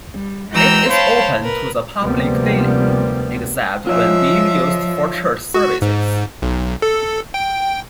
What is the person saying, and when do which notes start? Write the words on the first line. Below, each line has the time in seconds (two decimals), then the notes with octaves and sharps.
It is open to the public daily, except when being used for church services.
0.15 G3
0.51 E3 G#3 F#4 G5 A#5 E6
0.89 C5 C#5 F5 G5 A5 B5
1.42 A#4 B4
2.01 D2 C3 F3 G3 A#3 B3
3.87 F3 F4 C#5 D#5 E5
5.54 F#4
5.82 G#2
6.42 B1
6.82 A4
7.34 G5